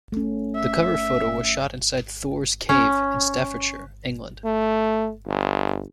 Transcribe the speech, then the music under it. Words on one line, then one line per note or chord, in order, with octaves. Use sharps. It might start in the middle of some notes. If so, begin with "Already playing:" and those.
The cover photo was shot inside Thor's Cave in Staffordshire, England.
A3 C#4
E5
C#4
A3
G1